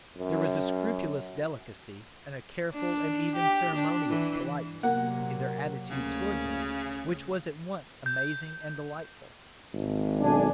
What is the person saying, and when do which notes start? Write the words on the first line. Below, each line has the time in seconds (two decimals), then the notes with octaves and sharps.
There was a scrupulous delicacy and a careful and even ceremonious politeness in their attitude toward me which was at once amazing and delightful.
0.17 F#2
2.73 D4
3.36 G4
3.75 D4
4.10 E3
4.83 C3 F#3 A#3 F#5
5.90 D2 C#3
8.06 G6
9.73 G#1
10.21 B1 D4 G#5